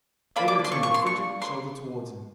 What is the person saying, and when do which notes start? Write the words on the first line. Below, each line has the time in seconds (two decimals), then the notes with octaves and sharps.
Ada turned a frigid shoulder towards him.
0.36 A#3 D4 F4 B5
0.48 D6
0.65 C6
0.72 C#6
0.83 C#6
0.94 C6
1.07 C#6
1.42 C6